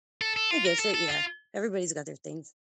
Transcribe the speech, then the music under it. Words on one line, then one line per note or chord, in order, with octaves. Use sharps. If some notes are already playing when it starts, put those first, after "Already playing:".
I get you, yeah. Everybody's got their things.
A4
A4
F4
A#4
A4
A4
F4